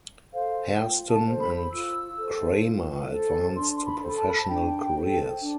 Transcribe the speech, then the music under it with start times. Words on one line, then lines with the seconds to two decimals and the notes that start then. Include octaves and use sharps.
Hairston and Kramer advanced to professional careers.
0.33 A4 C5 F5
0.79 F4 G5
1.10 A5
1.26 A4 C5
1.40 B5
1.71 F4 E6
2.17 A4 C5
2.63 F4
3.10 A4 C5
3.55 D4 C6
3.76 C6
3.86 B5
4.01 A4 C5
4.17 A5
4.27 B5
4.37 A5
4.47 D4 G5
4.94 A4 C5
5.40 D4